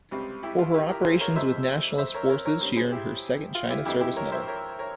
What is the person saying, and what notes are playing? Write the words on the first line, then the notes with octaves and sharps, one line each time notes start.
For her operations with Nationalist Forces she earned her second China Service Medal.
C#2 C3 G3 C4
E4 G4
F4
E4 G4
G4 A#4
G#4 C5
A#4 C#5
F2 C3 F3 G#3 C5 E5
C5 E5
A#4 C#5
A#4 C#5
A#4 C#5
G2 G3 C4 A#4 C#5
G#4 C5
E4 G4
F4
E4 G4
F2 E3 G#3 C4 E4 G4
E4 G4
A#4 C#5
C5 E5
A#4 C#5
A#4 C#5